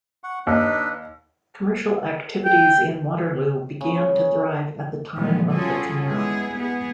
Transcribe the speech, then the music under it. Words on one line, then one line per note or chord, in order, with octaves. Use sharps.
Commercial activities in Waterloo began to thrive at the time of the canal.
F#5 C#6
D#2 D4 D#4 B4
G5
C#3
A#2 E3 F3 G3 G#3 B3
G3 C#4 F4 F#4 G#4 A4
G#3 B3 E4 G#4
B3 G#4